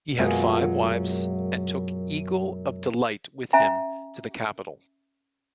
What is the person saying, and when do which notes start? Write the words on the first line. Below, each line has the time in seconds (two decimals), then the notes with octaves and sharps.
He had five wives, and took Eagle of Delight with him to the capital.
0.19 F#2 B2 F#3 G#3 A#3 F4
3.53 C#4 E5 G#5 A#5